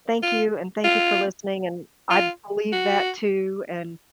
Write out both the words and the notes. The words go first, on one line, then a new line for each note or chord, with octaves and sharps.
Thank you, and thank you for listening, and I believe that too, and
F4
F4
F4
F#4